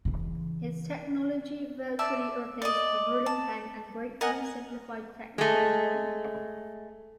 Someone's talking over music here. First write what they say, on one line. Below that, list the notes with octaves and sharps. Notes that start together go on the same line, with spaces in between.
Its technology virtually replaced the ruling pen and greatly simplified technical drawing.
C#3 E3
D5 E5 A5
D5 D#5
A5
A#4 D#5 F#5 G#5
G#3 A3